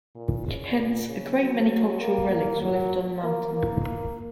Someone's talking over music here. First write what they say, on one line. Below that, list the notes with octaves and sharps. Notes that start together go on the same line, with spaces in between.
Hence, a great many cultural relics were left on the mountain.
A#2
C#3
A#2
C#3
F#3
A#3
A#3
F#3
A#3
A#3